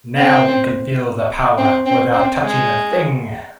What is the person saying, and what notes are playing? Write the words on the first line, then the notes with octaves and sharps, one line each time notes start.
Now you can feel the power without touching a thing.
C4
C4
C4
C4
G#3